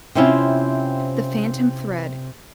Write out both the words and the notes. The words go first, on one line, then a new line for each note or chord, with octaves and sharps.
The Phantom Thread.
C3 C4 C#4 E4 F4